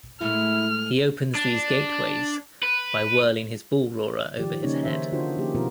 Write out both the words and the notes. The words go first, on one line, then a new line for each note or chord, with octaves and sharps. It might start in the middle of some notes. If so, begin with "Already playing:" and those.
He opens these gateways by whirling his bullroarer over his head.
A2 G#3 A3 E4 F6
D4
B4
D#3 F3 G4 D5
C#3 A#3 C#4 D#4 C#5
D#3 C5 C#5 E5
D3 D4 F4 F#4 G#4 C5
F3 A#3 G4 G#4
B2 F3 B3 C4 F4 A#4